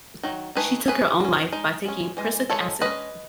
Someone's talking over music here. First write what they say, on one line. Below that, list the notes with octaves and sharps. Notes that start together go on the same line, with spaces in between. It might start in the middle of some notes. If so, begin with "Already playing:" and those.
She took her own life by taking prussic acid.
D#3 F#3
D#3 A3 D#4 G#4 B4
G#3 C#4 G#4 B4
F#3 C#4
G#3 D#4
G#3 C#4
E3 G#3
G#3 D#4 A4 C#5
G#3 C#4 B4 D#5